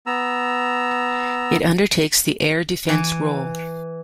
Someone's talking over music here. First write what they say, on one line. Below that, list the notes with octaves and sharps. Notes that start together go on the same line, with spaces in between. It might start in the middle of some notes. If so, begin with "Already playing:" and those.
It undertakes the air defence role.
B3 A#5 E6
E3